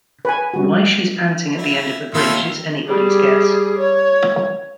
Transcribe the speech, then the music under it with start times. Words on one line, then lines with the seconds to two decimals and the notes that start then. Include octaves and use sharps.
Why she's panting at the end of the bridge is anybody's guess.
0.25 B4 G#5
0.54 G3 F#4
1.58 E4
2.14 D#2 E4 F4 E6
2.87 G3 G#4
3.79 C#5